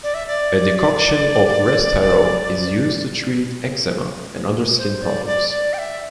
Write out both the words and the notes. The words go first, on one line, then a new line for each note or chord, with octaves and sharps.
A decoction of restharrow is used to treat eczema and other skin problems.
D5
E5
D5
C5
D5
D5
D5
G5
E5